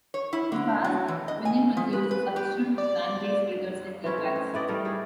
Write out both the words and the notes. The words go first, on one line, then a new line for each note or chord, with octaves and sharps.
In the past, Vinyon was used a substitute for plant-based filters in tea bags.
C#5
E4
D3
F#3
E3
D#5
G#5
F3
B4
B4
G4
D5
E3 C4 C#4 E4
A3
D#4
E4 B4 D5 D#5
G3 A3 A#4 D5
D#4 G#4